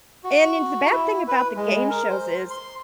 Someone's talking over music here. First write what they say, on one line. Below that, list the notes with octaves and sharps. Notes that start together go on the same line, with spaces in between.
and and the bad thing about the game shows is,
F#4
E4
B4
G#3
A#4
C5
C6